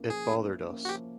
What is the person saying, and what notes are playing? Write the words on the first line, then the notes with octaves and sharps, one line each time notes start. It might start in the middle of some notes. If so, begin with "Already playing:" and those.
It bothered us.
Already playing: A#3 C#4 E4
F3 G#4
A#3 C#4 E4
F3
A#3 C#4 E4
F#4
F3 G4